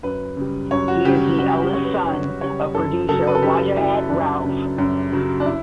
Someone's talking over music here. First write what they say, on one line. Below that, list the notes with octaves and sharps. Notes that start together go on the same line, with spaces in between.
He is the eldest son of producer Wajahat Rauf.
F#2 B4
C#3 G3
F#2 C#5
F#4
C#3 G3 G4
F#2 F#4
G4
C#3 G3 C#5
B4
F#2 C#5
C#3 G3 C#5
F#2 A4
C#3 F#3 A4
B4
A4
F#2 G4
C#3 F#3 E4
F#2 D4
C#3 F#3
F#2
C#3 F#3
D4
E4